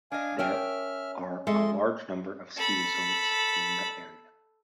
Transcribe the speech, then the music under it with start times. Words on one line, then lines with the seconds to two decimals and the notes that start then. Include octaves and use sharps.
There are a large number of ski resorts in the area.
0.12 D4 D#5 F5 G#5
0.39 C#4 G#4 A#4 E5 G5 F6
1.47 F2 G#3 A4 D#5 E5 C6
2.56 A4 B5